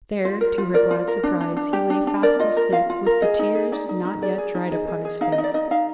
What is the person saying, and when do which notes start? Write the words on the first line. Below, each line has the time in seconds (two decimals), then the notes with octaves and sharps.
There, to her glad surprise, he lay fast asleep, with the tears not yet dried upon his face.
0.25 F4 C5
0.41 A#4
0.58 F4
0.74 A#4 D5
0.91 F4
1.08 A#4
1.23 D4
1.41 D4
1.57 D4
1.73 G4
1.90 D4
2.07 D4
2.23 A#4 D5
2.39 F4 D#5
2.57 A#4
2.72 F4 F5
2.90 F4
3.06 A#4
3.22 G#4 D#5
3.39 D#4
3.55 G#4
3.72 D#4 D5
3.89 D#4
4.05 D#4
4.22 G#4 D5
4.38 G#4
4.55 D#4
4.71 G#4 D#5
4.88 G#4
5.05 G#4
5.21 D#4 F5
5.32 D#5
5.38 D#4
5.44 D5
5.54 D#4 D#5
5.71 D#4 F5